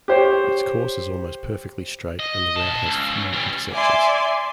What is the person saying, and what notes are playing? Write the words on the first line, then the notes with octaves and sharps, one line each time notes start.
Its course is almost perfectly straight, and the route has few intersections.
G4 C5 C#5
D#5
A#2 A5
C#2
E3 G3
D5 E5 G#5 C6 D6